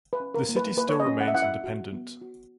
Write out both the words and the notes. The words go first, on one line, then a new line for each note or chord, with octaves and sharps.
The city still remains independent.
B4
C#4
A#4
A#3
B4
A#3 B4
C#5
D#5
C#4
F#5
E5
E4 F#5
E5
F#4
B3
F#4